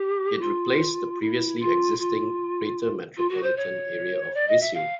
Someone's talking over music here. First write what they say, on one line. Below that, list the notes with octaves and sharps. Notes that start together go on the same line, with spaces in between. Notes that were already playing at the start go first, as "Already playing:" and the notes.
It replaced the previously existing "Greater Metropolitan Area of Viseu".
Already playing: G4
F4
E4
F4
F4
F4
F#4
C5
C#5
D5
D#5
E5
F5